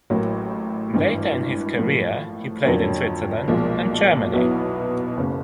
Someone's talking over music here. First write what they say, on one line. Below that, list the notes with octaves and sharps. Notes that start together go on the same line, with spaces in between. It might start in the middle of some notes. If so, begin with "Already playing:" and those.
Later in his career, he played in Switzerland and Germany.
A1 A2 F#3 A#3
G#1 G2 E3
A2 F3 A#3
F2 D3 F#3 A#3 C#4
B1 A#2 F3 G#3
B1 B2 F#3 B3 E4
F#1 C#3